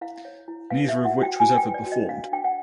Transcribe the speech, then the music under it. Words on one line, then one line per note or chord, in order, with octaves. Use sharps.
Neither of which was ever performed.
E4 F5
C#5
E4
B4 F5
E5
F#4
F#5
F#4
G5
F#4 G#5
G5
B4
D5
F#4
D#5
D4 F5
D4 G5
F#5